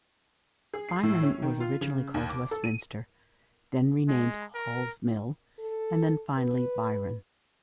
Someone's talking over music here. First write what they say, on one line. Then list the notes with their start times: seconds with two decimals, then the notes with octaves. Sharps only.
Byron was originally called Westminster, then renamed Hall's Mill, and then finally Byron.
0.73 G#4
0.89 C7
1.03 A2
1.23 C#4
1.42 D#3
1.60 F4
1.81 C#3
2.14 D#2
2.29 D6
2.51 A4
2.64 D#7
4.08 G#3
4.55 A#4
5.59 A4
6.38 B4